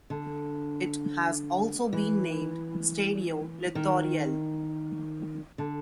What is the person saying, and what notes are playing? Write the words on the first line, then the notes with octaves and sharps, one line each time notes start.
It has also been named Stadio Littoriale.
D3
E3
D#3
D3